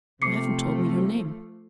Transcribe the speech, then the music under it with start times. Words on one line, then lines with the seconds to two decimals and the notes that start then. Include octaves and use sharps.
"You haven't told me your name."
0.22 C3 F3 A3 D6 C7 C#7